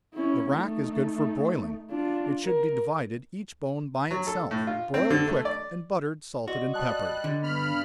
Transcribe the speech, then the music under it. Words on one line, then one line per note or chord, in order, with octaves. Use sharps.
The rack is good for broiling--it should be divided, each bone by itself, broiled quick, and buttered, salted and peppered.
C#4 E4
A3 D#4
D4 F4
A#4
F#3
A4
A2
F4
C4
D3
A3
D5
F#4 D5 D#5 C6
G3 A5 D#6 F#6
D#5
D3
G2 B3 B5 F6